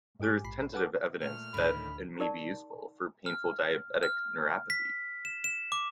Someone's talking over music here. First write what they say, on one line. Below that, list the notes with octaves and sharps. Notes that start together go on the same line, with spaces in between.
There is tentative evidence that it may be useful for painful diabetic neuropathy.
G#2 G#3 G4 G#5 D6
A#1 B5 C7
A4 B4 F#5 G#5 A5 D6
A#2 A3 F6
D2 A2 D#3 B5
D#4 G4 A#4 D5 A5
F6
F6
B6
E7
E7
D6